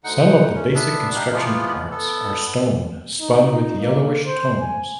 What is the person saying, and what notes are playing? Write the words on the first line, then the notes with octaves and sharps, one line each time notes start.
Some of the basic construction parts are stone spun with yellowish tones.
D2 D3 D#4 F#5
C#4
B3 D4 E5
D4 D#4 G4 F5
E3 F3 G#3 A#3 B3 F4
B3 A4
D#4
D#4
A#3
C5
G#5